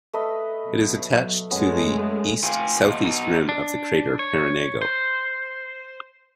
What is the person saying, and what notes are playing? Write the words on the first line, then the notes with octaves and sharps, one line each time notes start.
It is attached to the east-southeast rim of the crater Parenago.
A3 B4 D#5
B2 F#3
F#2 G#3 A3 B3 C#4
F4 F5 G5 G#5
E2 A#3 F4 D#5 F5
B2 D#4
D4
C#5
C5